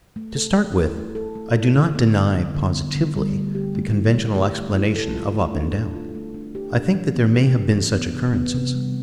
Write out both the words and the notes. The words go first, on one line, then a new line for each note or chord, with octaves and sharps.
To start with I do not deny--positively--the conventional explanation of "up and down." I think that there may have been such occurrences.
A3
A4
A3
E4
A3
A4
A3
E4
D3
B3
D3
G3
D3
B3
D3
G3
A3
G4
A3
E4
A3
G4
A3
E4
A4
F4
A3
D4
A4
F4
A3
D4
G4
D4
E3
B3
G4
D4
E3
B3
C3
B3
C3
G3